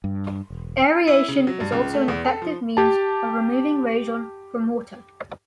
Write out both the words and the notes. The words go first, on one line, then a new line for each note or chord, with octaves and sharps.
Aeration is also an effective means of removing radon from water.
G2
E1
E4
C#3
F#3
G2
C#2
A3
E2
A4
F3
G4 A5